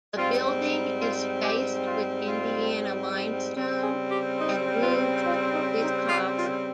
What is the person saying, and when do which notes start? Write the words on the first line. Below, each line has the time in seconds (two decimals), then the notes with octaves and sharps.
The building is faced with Indiana limestone and roofed with copper.
0.16 G#2 G3 C4 F4
1.00 F4
1.42 G4
1.85 F4
2.28 F4
3.55 C#3 G3 C4
3.83 G#4
4.11 G4
4.39 D#4
4.82 F4
5.23 F4
5.52 D#4
5.80 D#4
6.08 F4
6.36 F4